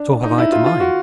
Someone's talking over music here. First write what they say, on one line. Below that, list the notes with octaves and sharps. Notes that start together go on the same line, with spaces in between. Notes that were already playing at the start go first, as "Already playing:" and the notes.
"So have I to mine!"
Already playing: D4
D#4
E4
F4
F4
F#4